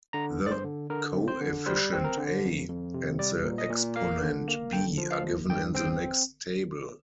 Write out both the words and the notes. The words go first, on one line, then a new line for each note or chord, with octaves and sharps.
The coefficient a and the exponent b are given in the next table.
D3 A#5
G2
D5
C5
D3
D3 A#4
C4
C5
D3
G3 C5
C4
A#4
D3
F2
F2
C3
G3 D5
A#2
D#5
A#2
A#3 F5
D3
A#3
D3 G5
F3
F5
D#2
G2 G5
C4 G5